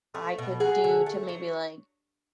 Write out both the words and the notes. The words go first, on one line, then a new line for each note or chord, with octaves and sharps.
I could do to maybe, like,
A3
B2
F#3 F#4 G#4
D3
A3
F#3